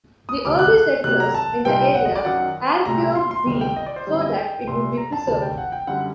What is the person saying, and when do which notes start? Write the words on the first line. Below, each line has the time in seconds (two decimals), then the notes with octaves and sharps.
The early settlers in the area air-cured beef so that it would be preserved.
0.29 D#6
0.45 D2 C3 D#3 D6
0.59 F#6
0.74 F#6
1.04 C3 D#3 F#3 A#3 F#6
1.20 A#5
1.34 A5
1.65 C2 A#2 G3 C4 D#4 G5
1.95 F#5
2.05 D#5
2.16 D5
2.25 F#2 D#3 F#3 F#5
2.85 C2 A#2 A3 C4 A#5
3.15 C6
3.31 C6
3.46 D2 C3 D#3 G3
3.61 G5
3.76 D#5
3.86 D5
3.96 C5
4.07 F#2 D3 G3
4.21 D#5
4.37 G5
4.67 C2 A#2 A3 C6
4.97 A#5
5.13 A5
5.27 D2 C3 D#3 A5
5.42 G5
5.58 F#5
5.72 G5
5.87 F#2 D3 G3 F#5